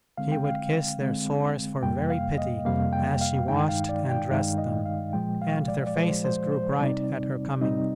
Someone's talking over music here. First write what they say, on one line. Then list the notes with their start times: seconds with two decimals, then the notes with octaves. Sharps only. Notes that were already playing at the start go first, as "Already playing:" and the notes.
She would kiss their sores for very pity as she washed and dressed them, and their faces grew bright at her coming.
0.17 D3 G#3 C4 F5
0.32 G5
0.44 F5
1.01 D3 G#3 C4
1.82 F2 C3 G3 A#3 G5
2.10 F5
2.38 D#5
2.65 F2 C3 G3 A#3 F5
2.93 G5
3.21 F5
3.48 G2 D#3 G#3 D#4 G5
3.69 F5
3.89 D5
4.10 G5
4.31 G2 D#3 G#3 D#4 F5
4.58 D#5
4.86 F5
5.13 A#2 F3 G#3 G5
5.42 F5
5.68 D5
5.87 D5
5.96 A#2 F3 G#3 C5
6.24 C5
6.52 C5
6.79 C3 G3 C4 D#4 D5
7.61 C3 G3 C4 D#4 D#5